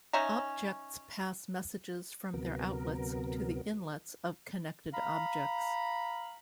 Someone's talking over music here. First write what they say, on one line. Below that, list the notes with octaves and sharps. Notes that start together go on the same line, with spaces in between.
Objects pass messages from their outlets to the inlets of connected objects.
C#4 D#4 E5 A#5
D2 C3 F#3 B3 A#4
F5 A#5 B5